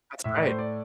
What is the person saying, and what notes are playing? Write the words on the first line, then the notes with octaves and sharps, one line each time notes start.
That's great.
A2 E5
D5
A3 C5
D5